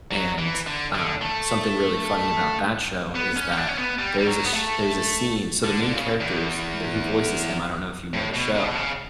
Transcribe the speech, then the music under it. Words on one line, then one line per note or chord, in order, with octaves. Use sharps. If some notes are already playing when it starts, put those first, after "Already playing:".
and, um, something really funny about that show is that there's a sh there's a scene so the main characters th who voices him, I don't know if you know the show,
F#3
E3
D3
D3
A3
B3
C#4
C#4
D4
C#4
B3
G3
G3
F#3
B3
A3
D3
D3
C#3
E2
A2
B2
C#3
B2
C#3